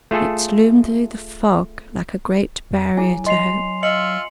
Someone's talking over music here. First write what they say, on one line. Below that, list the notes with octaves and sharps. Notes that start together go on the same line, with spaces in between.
It loomed through the fog like a great barrier to hope.
A3 F4 G#4 A4
F2
F#3 E4 G#4 G#5
D#5 C6 C7 F7
F4 D#5 E5 C#7 F#7